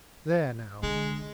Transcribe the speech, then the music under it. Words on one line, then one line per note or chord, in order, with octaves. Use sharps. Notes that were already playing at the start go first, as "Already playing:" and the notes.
'There now.
D3 G#3